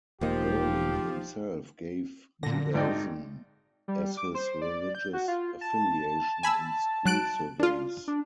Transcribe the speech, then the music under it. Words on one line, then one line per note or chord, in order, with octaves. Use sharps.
Berling himself gave Judaism as his religious affiliation in school surveys.
E1 D#2 F3 A#3 D#4 G4
A#2 D3 A#6
G#1 D#4 D5 G5
G3
D6
C5
D5
G6
F#4
F4
A5
G#5 B5 E6
F#3 F#6 D7
D4 F4
D4